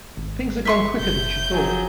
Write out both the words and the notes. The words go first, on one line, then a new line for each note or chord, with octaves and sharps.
Things had gone quicker than she thought.
G#1
E5 C6 C#6
F#1 G6
F3 F#3 G#4